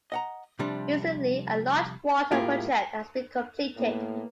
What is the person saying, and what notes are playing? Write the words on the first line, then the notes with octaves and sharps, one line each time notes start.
Recently a large water project has been completed.
D#5 F#5 A#5
C3 F3 G3 D4
A2 G#3 A#3 E4 F4 G4
A2 A#3 B3